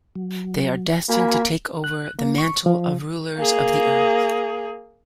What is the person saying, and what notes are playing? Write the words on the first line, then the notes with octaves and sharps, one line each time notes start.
They are destined to take over the mantle of rulers of the Earth.
F#3
A#3 F#4 G#5 B5
F#6
A#3
C#6
F3
A#3 G#4